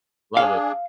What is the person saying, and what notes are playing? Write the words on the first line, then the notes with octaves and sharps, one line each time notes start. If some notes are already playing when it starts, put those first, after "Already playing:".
Love it.
D4 G#4 F5